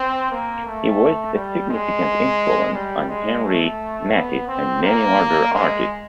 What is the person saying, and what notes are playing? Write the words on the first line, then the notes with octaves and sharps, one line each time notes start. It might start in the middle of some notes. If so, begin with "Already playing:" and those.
He was a significant influence on Henri Matisse and many other artists.
Already playing: C4
A#3
A3
G3
G#3
G3
G#3
A3
B3
C4
A#3
G#3